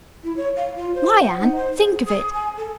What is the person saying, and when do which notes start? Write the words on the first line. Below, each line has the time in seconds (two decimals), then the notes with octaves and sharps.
Why, Anne, think of it!
0.24 E4
0.37 C#5
0.56 F5
0.77 F4
0.95 C5
1.21 F#5
1.40 D#4
1.56 C5
1.79 G#4
2.06 D#6
2.33 G#5
2.57 A4